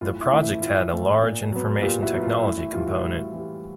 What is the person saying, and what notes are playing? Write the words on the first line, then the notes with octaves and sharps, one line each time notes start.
The project had a large information technology component.
A2 F4
E4
E3 A3
E4
A2 F4
E3 A3
A#2
F#3 B3
A#2 F4 G4
E4 F#4
F#3 B3
F4
A2 E4
E4
E3 G3 F4
E4 F#4
A2
E3 G3